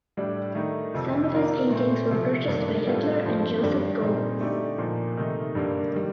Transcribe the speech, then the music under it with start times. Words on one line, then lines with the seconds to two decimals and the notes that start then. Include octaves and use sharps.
Some of his paintings were purchased by Hitler and Joseph Goebbels.
0.17 A2 G3 D4 G4
0.55 D#3 A3 D#4
0.94 F2 C3 F3
1.32 D#3 A#3 F4 A#4 D5
1.70 A#2 A3 C4
2.09 C3 F3 A3
2.48 G2 D#3 A#3 D4
2.86 A2 G3 C4 F4 A4
3.25 G2 F3 C4
3.63 G2 D#3 G3 D4 G4
4.01 A#2 G3 C4 D#4
4.40 D3 A3 D#4 G4 D5
4.78 A#2 F3 A#3 D#4
5.17 C3 D#3 A3 D#4
5.55 G2 D3 G3 A#3
5.94 D#3 G3